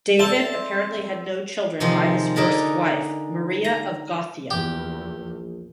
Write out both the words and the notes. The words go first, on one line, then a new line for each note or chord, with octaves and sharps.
David apparently had no children by his first wife Maria of Gothia.
C4 A4 C5 D5 E5 A5
C3 D#3 F3 G#3
D3 D#4 G#4 A#4 A5 B5
A#5
A#1 E2 G4